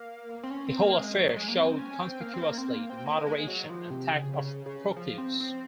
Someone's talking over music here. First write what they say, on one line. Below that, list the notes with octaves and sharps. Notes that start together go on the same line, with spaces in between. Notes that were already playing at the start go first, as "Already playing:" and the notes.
The whole affair showed conspicuously the moderation and tact of Proclus.
Already playing: A#3
C4
C#4
C4
A#3
G#3
F#3
G#3
A#3
C4
C#4
C4
A#3
C4
A#3
C4
A#3
C4
A#3
G#3
F#3
D#3
F3
C3
C#3
C#3
C#3
F3
C4
C4